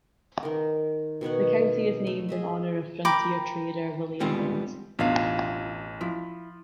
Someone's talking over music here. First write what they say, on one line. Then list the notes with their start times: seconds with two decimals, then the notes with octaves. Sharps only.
The county is named in honor of frontier trader William Bent.
0.43 D#3 A#4
1.21 B2 D#3 C#5 F#5
2.07 A3
2.29 G#4 D#5 E5
3.05 A#4 G5 B5 D6
4.20 G3 G#3 B3 C4 F4
4.99 A1 E2 B2 D4 F4 F5
6.01 F3 E4